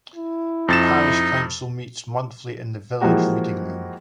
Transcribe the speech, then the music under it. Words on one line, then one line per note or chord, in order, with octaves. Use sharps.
The parish council meets monthly in the village reading room.
E4
F2 D#4 A6 E7
E3 F3 G#3 A#3 F#4 G4